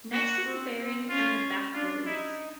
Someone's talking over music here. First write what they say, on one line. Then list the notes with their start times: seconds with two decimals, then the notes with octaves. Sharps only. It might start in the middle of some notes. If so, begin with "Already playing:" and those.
Next is the bearing and the back relief.
0.13 A#3 F#4
0.45 C4
0.77 C4
1.09 C#4 F4
1.73 D4 F4
2.05 D#4 E4